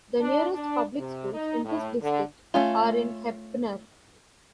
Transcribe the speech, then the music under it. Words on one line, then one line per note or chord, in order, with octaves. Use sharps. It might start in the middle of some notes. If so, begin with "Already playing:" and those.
The nearest public schools in this district are in Heppner.
D4
D4
C3
D#4
A2
D3
A3 C#4 F4